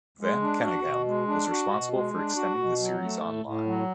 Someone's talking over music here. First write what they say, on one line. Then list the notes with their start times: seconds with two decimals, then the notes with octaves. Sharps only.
Van Caneghem was responsible for extending the series online.
0.21 G#3
0.42 D4
0.64 F#4
0.86 B2
1.07 G#3
1.28 D4
1.50 F#4
1.72 B2
1.94 G#3
2.15 D4
2.36 F#4
2.58 B2
2.80 F#3
3.02 A3
3.23 A2
3.44 A2
3.66 F#3